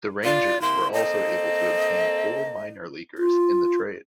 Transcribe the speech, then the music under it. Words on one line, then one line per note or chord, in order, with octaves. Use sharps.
The Rangers were also able to obtain four minor leaguers in the trade.
F4 D5
C3 A#3 E4 C6
A#3 C4 A4 D#5
F4